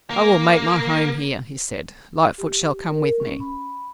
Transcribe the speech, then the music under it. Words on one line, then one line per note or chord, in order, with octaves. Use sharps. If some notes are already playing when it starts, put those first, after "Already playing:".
"I will make my home here," he said. "Lightfoot shall come with me."
A#3
G4
A#4
C#4
B5